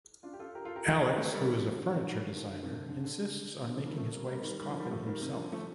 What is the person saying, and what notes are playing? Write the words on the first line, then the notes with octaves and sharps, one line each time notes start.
Alex, who is a furniture designer, insists on making his wife's coffin himself.
D4 F4
G4
F4 A4
G4 A#4
F4 A4
G4 A#4
F4 A4
D#4 G4
A3 C4
G3 A#3
D#3 G3
D3 F3
D3
C3 D#3
D3 F3
D#3 G3
D3 F3
D#3
D3
D3
C3 D#3
D3
C3
D3
D3
D3
D3 F3
D#3 G3
F3 A3
G3 A#3
G3 A#3
D#3 G3
D#3 G3
D3 F3
D#3 G3
F3 A3
D#3 G3
C3 D#3
D3 F3
F3 A3